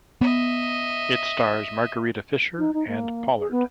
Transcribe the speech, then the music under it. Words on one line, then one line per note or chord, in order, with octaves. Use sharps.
It stars Margarita Fischer and Pollard.
B3 D#5 E5
D#4
D#4
A#3
G#4
B3